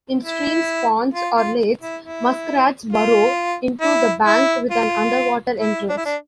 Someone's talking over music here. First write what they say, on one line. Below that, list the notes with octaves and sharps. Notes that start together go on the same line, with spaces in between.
In streams, ponds, or lakes, muskrats burrow into the bank with an underwater entrance.
E4
F4
F4
E4
E4
F4
E4
E4
F4
E4
D4
E4
D4